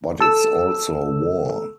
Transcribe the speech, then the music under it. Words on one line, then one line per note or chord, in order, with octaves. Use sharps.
But it's also war.
A4 E6